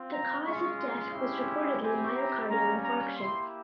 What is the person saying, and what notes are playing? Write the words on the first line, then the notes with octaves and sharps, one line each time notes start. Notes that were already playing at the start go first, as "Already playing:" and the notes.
The cause of death was reportedly myocardial infarction.
Already playing: C4 F4
A#5
G#3 C#4 F4 C#6
C6
G#3 C#4 E4 G4
C4 E4 G4 G#5
A#5
G3 A#3 C#4 A#5
A#5
A#3 E4 G4 C6